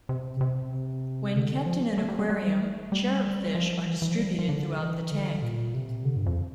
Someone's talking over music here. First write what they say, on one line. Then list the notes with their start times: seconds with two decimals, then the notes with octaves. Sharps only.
When kept in an aquarium, cherubfish are distributed throughout the tank.
0.09 C3
0.41 C3
1.36 D3
1.66 F3
1.98 A3
2.09 G3
2.19 G3
2.30 G3
2.61 A3
2.92 G3
3.55 F3
3.86 E3
4.02 E3
4.10 F3
4.17 G3
4.28 F3
4.39 F3
4.49 D3
4.80 E3
5.12 D3
5.42 A#2
5.74 C3
6.05 D3
6.16 G2
6.26 F2